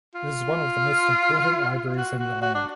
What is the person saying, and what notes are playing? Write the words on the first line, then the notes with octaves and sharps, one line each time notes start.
It is one of the most important libraries in the land.
F4
F#4
F#4
F#4
D4